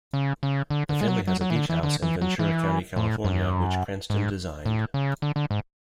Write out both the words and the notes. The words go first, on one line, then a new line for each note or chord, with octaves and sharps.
The family has a beach house in Ventura County, California, which Cranston designed.
C#3
C#3
D3
D3
G#3
F#3
F#3
F#3
E3
D3
E3
D3
E3
F#3
E3
A2
F#2
G#2
A2
C#3
D3
D3
G#2